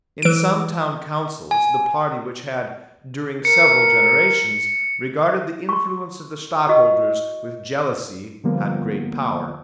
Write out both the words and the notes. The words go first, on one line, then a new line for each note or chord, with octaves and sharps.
In some town councils the party which had, during several generations, regarded the influence of the Stadtholders with jealousy had great power.
E3 D7
G#5
A#4 C#7
C6 C#6
F#4 D#5 C#6
D3 F3 G3 A#3 B3